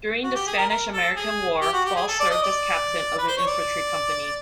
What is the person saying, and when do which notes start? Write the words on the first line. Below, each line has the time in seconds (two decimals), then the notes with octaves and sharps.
During the Spanish-American War, Fall served as captain of an infantry company.
0.23 F#4
0.35 G4
0.47 G#4
0.57 A#4
0.70 A#4
0.92 A4
1.16 G#4
1.61 G4
1.73 F#4
1.85 G4
1.96 G#4
2.08 A4
2.20 D5
2.31 D#5
2.43 D5
3.19 B4
3.28 C5
3.38 C#5
3.47 D5